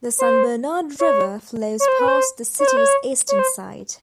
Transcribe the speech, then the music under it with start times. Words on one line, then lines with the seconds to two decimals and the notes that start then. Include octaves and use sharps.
The San Bernard River flows past the city's eastern side.
0.19 C5
1.00 C#5
1.80 C#5
1.88 C5
1.99 B4
2.08 C5
2.59 C#5
2.68 C5
2.77 C#5
3.29 C#5
3.39 C5